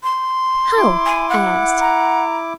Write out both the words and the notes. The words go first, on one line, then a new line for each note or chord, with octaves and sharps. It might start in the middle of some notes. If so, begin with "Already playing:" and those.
"How?" I asked.
C6
E4 D6
G#5
F#5
A#5